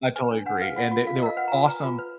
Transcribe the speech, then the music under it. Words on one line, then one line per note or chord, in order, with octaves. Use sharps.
I totally agree and they they were awesome,
B4 G#5
D4
D4 F#5
B4 F5
F4 F#5
F4
F4 F5
D#5
A#4 F5
B4 F#5
A#5
F4 G#5
B4 A#5
F4
B4